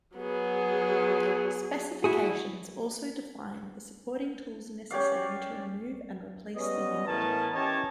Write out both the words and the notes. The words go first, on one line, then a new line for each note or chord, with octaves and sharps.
Specifications also define the supporting tools necessary to remove and replace the unit.
F#3 B3 G#4
E4 F#4 G#4
C#4 G4 D5 F5
G3 B3 C#4 D#5
A2 E3 B3 C#4 A#4 A5
E3 C#4 G4 C#5 D#5 A5